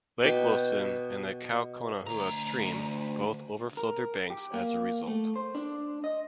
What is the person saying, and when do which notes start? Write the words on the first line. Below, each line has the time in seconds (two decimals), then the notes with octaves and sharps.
Lake Wilson and the Kaukonahua Stream both overflowed their banks as a result.
0.24 B2 G5 D6
2.07 D2 A#5
3.77 A#4
4.30 G4
4.54 A#3
5.08 A3
5.36 C5
5.55 D4
6.04 D#5